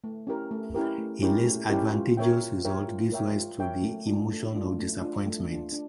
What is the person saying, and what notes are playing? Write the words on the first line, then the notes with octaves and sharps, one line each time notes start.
A less advantageous result gives rise to the emotion of disappointment.
A3
C#4 E4 G4 A#4
A3
C#4 E4 G4 A#4
A3
C#4 E4 G4 A#4
A3
C#4 E4 G4 A#4
F4
A#4 C#5 E5 G5
F4
A#4 C#5 E5 G5
F4
A#4 C#5 E5 G5
F4
A#4 C#5 E5 G5
A3
D4 F4
A3
D4 F4
A3
D4 F4
A3
D4 F4
D4